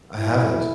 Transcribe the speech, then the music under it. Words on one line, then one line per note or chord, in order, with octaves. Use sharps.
I haven't.
E2 D#3 F#3 E4